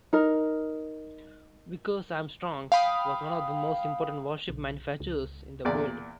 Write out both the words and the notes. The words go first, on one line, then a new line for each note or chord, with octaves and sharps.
Vickers-Armstrongs was one of the most important warship manufacturers in the world.
D#4 A#4
F5 G5 B5 D#6
B1
C#2
E2 A#2 D5